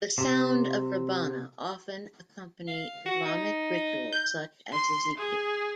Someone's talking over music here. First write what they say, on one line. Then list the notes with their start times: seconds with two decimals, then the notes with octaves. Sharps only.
The sound of Rebana often accompany Islamic ritual such as the zikir.
0.18 C3
2.68 F5
3.06 F#4
3.25 D#4
4.12 G6
4.72 C6
5.18 G#4